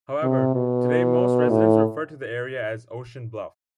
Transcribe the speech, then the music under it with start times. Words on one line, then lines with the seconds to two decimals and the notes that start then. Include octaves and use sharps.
However, today most residents refer to the area as "Ocean Bluff".
0.23 C3
0.54 B2
1.49 A2